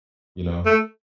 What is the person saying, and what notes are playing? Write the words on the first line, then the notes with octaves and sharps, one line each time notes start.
you know,
A3